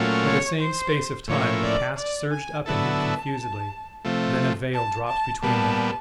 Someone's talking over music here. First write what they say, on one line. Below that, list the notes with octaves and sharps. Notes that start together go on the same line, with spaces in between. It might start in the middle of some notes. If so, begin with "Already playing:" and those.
For the same space of time the past surged up in him confusedly; then a veil dropped between them.
Already playing: A#2 F#3 A3 C#4 F4
C#5
C5
A2 F3 A#3 C#4 E4 C#5
D5
D5
G#5
D3 F#3 B3 E4 A4 A5
C3 F3 A3
A5
A5
A#2 G3 B3 A5